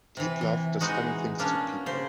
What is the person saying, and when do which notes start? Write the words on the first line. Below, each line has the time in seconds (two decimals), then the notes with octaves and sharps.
Deep love does funny things to people'.
0.17 C3 E3
0.41 E3
0.81 E3 G#3 D#4 F#4
1.39 B2 A#3 C#4 D4
1.86 C#3 C5